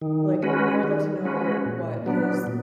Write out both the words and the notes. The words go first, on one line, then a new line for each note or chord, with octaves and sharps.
Like, I would love to know what his
D#3
G#3 C#4 F#4 B4
D#3
G#3 C#4 F#4 B4
A#2
F#3 B3 D4
A#2